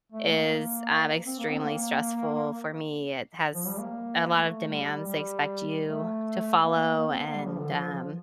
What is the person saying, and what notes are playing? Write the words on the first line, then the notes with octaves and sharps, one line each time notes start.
is, um, extremely stressful for me, it has a lot of demands they expect you to follow, and, um,
A3
A#3
C4
A#3
C4
A#3
F3
G3
A#3
A3
G3
G3
A3
A#3
A#3
C4
A#3
G3
F3
D3
F3
F3